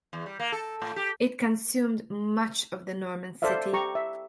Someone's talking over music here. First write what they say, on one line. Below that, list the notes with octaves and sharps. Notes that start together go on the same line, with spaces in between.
It consumed much of the Norman city.
E2
G3
A#3
A4
A2
G4
A4 C5 D5 E5 F5
G4 A#5 C#6
E5